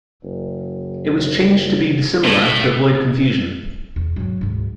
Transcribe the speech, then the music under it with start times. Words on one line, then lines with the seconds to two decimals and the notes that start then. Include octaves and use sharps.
It was changed to be dissimilar to avoid confusion.
0.23 F#1
2.24 A2
3.96 E2
4.16 G#2 F#3
4.41 D2 G#2